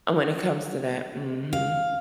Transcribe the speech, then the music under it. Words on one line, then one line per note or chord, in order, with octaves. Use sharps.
and when it comes to that, mhm.
F5